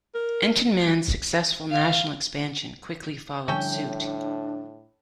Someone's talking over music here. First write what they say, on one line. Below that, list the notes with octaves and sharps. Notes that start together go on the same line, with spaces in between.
Entenmann's successful national expansion quickly followed suit.
A#4
F5
A2 D3 F3 G3 C#4 D4 A4 G5